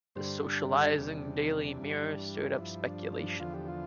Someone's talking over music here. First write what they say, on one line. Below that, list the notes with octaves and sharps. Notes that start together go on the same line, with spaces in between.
The socializing Daily Mirror stirred up speculation.
G2 D3 G3 C5
D4
D4
E2 C3 G3
G2 E3 G3
D4
G2 F3 E4
D4
D4
E2 D3 F3 F4
G4
F4